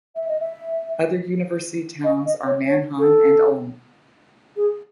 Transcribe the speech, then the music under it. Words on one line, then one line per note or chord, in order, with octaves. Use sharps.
Other university towns are Mannheim and Ulm.
E5
D#5
E5
D#5
D#5
C#5
C#5
A4
G#4